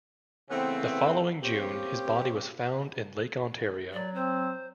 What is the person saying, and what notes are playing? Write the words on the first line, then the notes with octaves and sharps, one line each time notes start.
The following June, his body was found in Lake Ontario.
C#3 E3 A3 B3 C4
A#3 C4 C#4 G4
F#3 D5
C4 C5